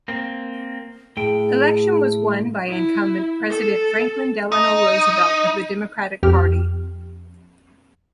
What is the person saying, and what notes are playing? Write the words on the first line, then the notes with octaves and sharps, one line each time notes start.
Election was won by incumbent President Franklin Delano Roosevelt of the Democratic Party.
A#3 C4
A2 G#4 G5
E4
A4
D#4
F2 G4 F6